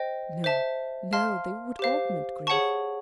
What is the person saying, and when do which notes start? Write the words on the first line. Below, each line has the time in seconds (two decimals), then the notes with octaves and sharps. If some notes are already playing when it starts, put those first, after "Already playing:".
No, no, they would augment grief.
Already playing: C5 D#5 G5
0.44 C5 E5 A5
1.13 F5 A5 C6 F6
1.79 G4 C5 F5
2.47 G#4 C#5 F#5 A5 C#6